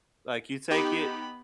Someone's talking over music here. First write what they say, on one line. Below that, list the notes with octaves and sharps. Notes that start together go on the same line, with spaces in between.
like, you take it,
B3 D#4 G4 B5